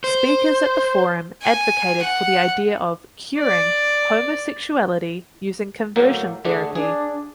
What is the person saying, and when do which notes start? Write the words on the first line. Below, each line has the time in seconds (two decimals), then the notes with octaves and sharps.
Speakers at the forum advocated for the idea of "curing" homosexuality using conversion therapy.
0.04 C5
1.42 G#5
2.02 F#5
3.39 D5
5.96 A2 F#3 A#3
6.45 D3 A3 D4 G#4
6.75 D4 G#4